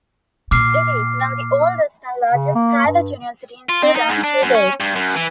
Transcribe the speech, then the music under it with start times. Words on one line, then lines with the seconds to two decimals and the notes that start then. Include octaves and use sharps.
It is now the oldest and largest private university in Sudan too date.
0.51 A#2 D6 F6 C7
2.33 C#3
2.55 A#3
2.86 G2
3.69 F4
3.83 C4
3.96 D#4
4.09 G#2
4.24 D4
4.42 F#2
4.55 C#4
4.80 G2
4.95 F#2
5.16 E3